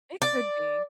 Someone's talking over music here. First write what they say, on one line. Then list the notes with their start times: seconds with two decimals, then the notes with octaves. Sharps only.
It could be.
0.22 D5